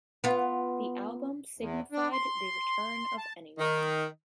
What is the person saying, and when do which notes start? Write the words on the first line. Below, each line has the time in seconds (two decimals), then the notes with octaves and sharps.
The album signified the return of Anyone.
0.24 B3 F4
1.59 E2
1.92 D4
2.12 C6
3.18 A5
3.58 D#3